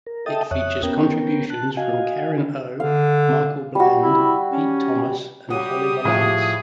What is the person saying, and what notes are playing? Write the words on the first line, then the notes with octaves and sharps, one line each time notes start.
It features contributions from Karen O, Michael Bland, Pete Thomas, and Holly Valance.
A#4
A4 D#5 E5 G5 A5 D#6
F2 C#5 E5 D#6 F#6
B3 C#4 A#4 G5
A5 F#6
F#4 D#5 F5 G#5
D3 F5
G3 F#4
E4
C#4
G3 F#4 G4 C#5 F#5 D#6
A2 F3 G#4